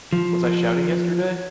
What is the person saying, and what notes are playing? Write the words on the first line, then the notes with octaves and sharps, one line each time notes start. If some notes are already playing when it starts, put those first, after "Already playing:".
Was I shouting yesterday?
F3